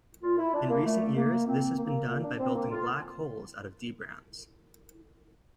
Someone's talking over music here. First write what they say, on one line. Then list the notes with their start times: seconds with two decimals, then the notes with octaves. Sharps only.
In recent years, this has been done by building black holes out of D-branes.
0.23 A#2 F4
0.38 E4
0.54 D4
0.70 A#3
0.85 A#2 A3
1.16 A#3
1.46 A#2 C4
1.77 A#3
2.08 A#2 A#3
2.24 D4
2.39 C4
2.54 A#3
2.69 A2 F4